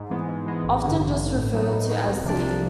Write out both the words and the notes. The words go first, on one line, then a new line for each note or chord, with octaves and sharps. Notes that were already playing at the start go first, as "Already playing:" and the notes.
Often just referred to as C.
Already playing: G#2
E3 G#3 B3
G#2
E3 G#3 B3
A1
G2 D3
A1
G2 D3
A2
F#3 B3 D#4
A2
F#3 B3 D#4
C2
C3 F3 A#3 D4
C2